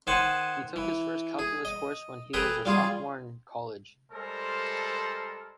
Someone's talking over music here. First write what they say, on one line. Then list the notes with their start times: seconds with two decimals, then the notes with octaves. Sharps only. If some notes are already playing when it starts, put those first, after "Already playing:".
He took his first calculus course when he was a sophomore in college.
0.07 D#3 C5 F#5 G#5 A5
0.76 E3
1.39 G#4
1.65 D#5
2.33 G#4 A4 B4 G5 A#5
2.65 G3 F4 G#4
4.12 G3 G#3 A4 A#4 C5